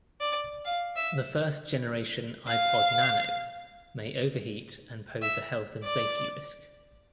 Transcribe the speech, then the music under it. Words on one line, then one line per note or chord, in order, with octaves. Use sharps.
The first generation iPod Nano may overheat and pose a health and safety risk.
D5
F5
E5
F5
E5
D5